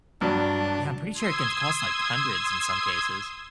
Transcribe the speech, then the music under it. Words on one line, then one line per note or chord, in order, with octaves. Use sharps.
Yeah, I'm pretty sure it can cost like hundreds in some cases.
G2 F#3 D4
C6 D#6 E6 G#6